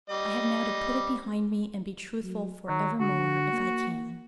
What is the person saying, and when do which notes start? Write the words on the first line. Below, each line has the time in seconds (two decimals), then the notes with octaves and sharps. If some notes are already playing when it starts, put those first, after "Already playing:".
I have now to put it behind me, and be truthful for evermore, if I can.'
0.10 G3 D#5
2.23 F#3
2.68 D#3 F#3
3.00 D3 F#4
3.53 A#3